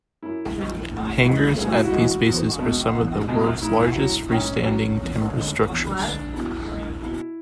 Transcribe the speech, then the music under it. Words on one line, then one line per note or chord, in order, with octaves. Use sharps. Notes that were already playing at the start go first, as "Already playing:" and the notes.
Hangars at these bases are some of the world's largest freestanding timber structures.
F#2 E4
E3 G#3
A2
E3 G#3
A2 G#4
F#4
E4
F#4
E3 G#3
E2
B2 G#3
E2
B2 G#3
G#2 E4
F#3
G#2 C#4
F#3
E2
D3 G#3
E2 D4
D3 G#3 D4
B2 E4
G#3
B2 E4